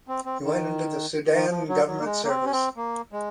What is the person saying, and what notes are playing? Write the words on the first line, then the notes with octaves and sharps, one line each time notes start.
He went into the Sudan Government Service.
C4
C4
D#3
D#3
F3
F#3
F#3
A#3
G#3
A#3
C4
C#4
C4
A#3
G#3